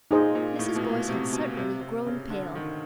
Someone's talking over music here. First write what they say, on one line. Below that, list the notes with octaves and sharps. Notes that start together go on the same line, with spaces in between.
Mrs. Boyce had certainly grown pale.
A#2 D#4 G#4 C5 D#5
A#2
A2
B2
A#2
C3
B2
C3
C3
C#3
D3
D#3